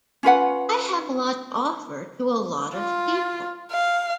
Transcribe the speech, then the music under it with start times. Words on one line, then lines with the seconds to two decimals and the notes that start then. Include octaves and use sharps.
I have a lot to offer to a lot of people.
0.23 C#4 F4 B4 F#5
2.74 F4
3.72 F5